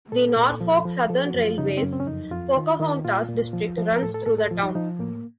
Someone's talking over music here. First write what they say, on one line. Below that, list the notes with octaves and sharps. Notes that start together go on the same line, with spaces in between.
The Norfolk Southern Railway's Pocahontas District runs through the town.
A#2 A4
A#2
F3
F3
F3 A4
F#4
F#2
F4
C#3 D#4
C4
F#2 C#4
C4
C#4
F2 D#4
F2 F4
D#3
D#3
A#2 F4
A#2
F3
F3
A#4
A2 A4
A4
A#4
A2 A4
A4
F3 F4
D#4
F3 D#4
A2 A#3